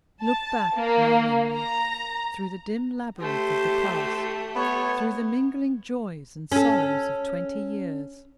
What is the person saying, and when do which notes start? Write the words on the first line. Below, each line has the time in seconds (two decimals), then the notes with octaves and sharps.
LOOK back, my memory, through the dim labyrinth of the past, through the mingling joys and sorrows of twenty years.
0.23 A5
0.75 A#3
1.52 A#5
3.20 A3 G4 C5
4.56 B3 C#5
6.52 C#4 A4